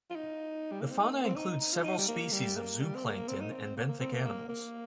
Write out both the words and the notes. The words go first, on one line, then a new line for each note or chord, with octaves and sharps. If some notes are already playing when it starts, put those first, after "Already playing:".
The fauna includes several species of zooplankton and benthic animals.
F4
D#4
G3
A#3
C4
D#4
A#3
C4
D#4
D#4
F4
D#4
G3
A#3
G3
A#3
G3
C4
A#3
C4
D#4
C4
C4
A#3
A#3
C4
A#3
A#3
A#3